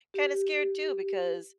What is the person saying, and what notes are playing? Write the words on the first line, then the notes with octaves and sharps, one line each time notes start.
kind of scared too because
G4